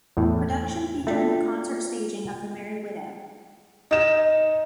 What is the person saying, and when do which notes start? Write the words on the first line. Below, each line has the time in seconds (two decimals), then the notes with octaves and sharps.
Production featuring a concert staging of The Merry Widow.
0.17 E2 A2
1.07 A3 D4 F4 F#4 G5
3.91 D#4 E7